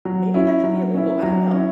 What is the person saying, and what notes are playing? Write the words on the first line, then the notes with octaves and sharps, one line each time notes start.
maybe that should be illegal, I don't know,
F#3
C#4 E4
F#3
C#4 E4
F#3
C#4 E4